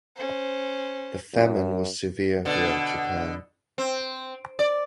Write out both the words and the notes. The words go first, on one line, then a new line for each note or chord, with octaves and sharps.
The famine was severe throughout Japan.
C#4 C5
F#2
B2 D3
C4
D5